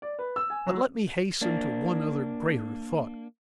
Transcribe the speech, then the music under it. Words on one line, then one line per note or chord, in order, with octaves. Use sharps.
But let me hasten to one other greater thought.
D5
B4
E6
G#5
F#3
A#3 D4